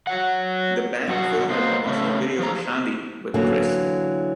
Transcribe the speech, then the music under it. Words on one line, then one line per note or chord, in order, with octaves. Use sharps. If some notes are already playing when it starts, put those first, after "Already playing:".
The band filmed a promotional video for "Shandi" with Criss.
F#3 F#5
G2 B2 F#3 F#5
F#3 A#3 B3 C5 D#5
C#3 A3 C#4
F3 A#5
D3 E3 F#3 A#3